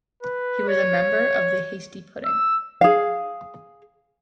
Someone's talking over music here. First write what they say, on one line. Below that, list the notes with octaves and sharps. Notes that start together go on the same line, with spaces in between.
He was a member of the Hasty Pudding.
B4
C#5
E6
G#4 F5